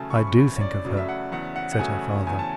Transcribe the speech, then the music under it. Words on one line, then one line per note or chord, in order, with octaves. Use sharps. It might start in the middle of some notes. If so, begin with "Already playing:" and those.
"I do think of her," said her father.
Already playing: E2 C#3 F#3 A3 G#5 A5
C#6
B5
C#6
E2 B5
C#5
D5
C#3 F#3 A3
E5
F#5
E2 F#5
F#5
F#5
C#3 F#3 A3 G#5
E2 G#5
A5